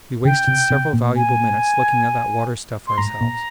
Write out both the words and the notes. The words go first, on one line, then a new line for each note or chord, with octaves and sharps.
"We wasted several valuable minutes looking at that water stuff ourselves."
C#3 G5
C3
C3
A#2
G#5
C6
G#2 A#5
A#2